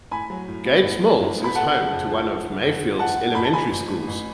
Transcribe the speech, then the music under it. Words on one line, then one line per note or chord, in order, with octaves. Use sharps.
Gates Mills is home to one of Mayfield's elementary schools.
A2 G#5 B5
F#3
A2
B3
A2
F#3
A2
B3
B5
A3 F#5 A5
C#3
F2
F3
A3
C#3
F2
F3
A1 F#5 A5
A2
A1 B5
A5
F3 G#5 B5
A1
A2
A1